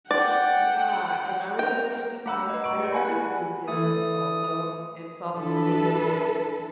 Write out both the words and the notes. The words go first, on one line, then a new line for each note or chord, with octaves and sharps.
Yeah, and I was a fan. I've I've read a few of his books also and saw the movies
D5 F#5 G5
A#4 G5
A3 F#5 A#5 B5 E6
B4 D#5
C#6 E6 D7
G4 G#4 D5
F#5 G#5 B5
E4 F#6
E3 A3 D#6
E3 D4 A4 B4